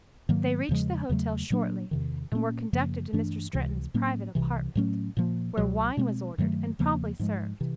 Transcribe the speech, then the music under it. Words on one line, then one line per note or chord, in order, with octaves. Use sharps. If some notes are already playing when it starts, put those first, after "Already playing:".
They reached the hotel shortly and were conducted to Mr. Stretton's private apartment, where wine was ordered, and promptly served.
G#2 D#3 F#3 A#3
E2 C#3 F3 G#3
E2 C#3 F#3 A3
A#2 F#3 A#3 D4
E2 C3 D#3
A#2 F#3 A#3 C#4
F#2 C#3 F3 A#3
G2 E3 A3 D4
C#2 C3 E3
A2 F#3 A#3 C#4
C2 C3 E3
A2 F#3 A3 C#4
A#2 F3 A#3
C#2 B2 F#3
B2 G#3 C4
G2 D#3 F#3 A3
E2 C#3 F3 A#3
G#2 F3 G#3
C3 E3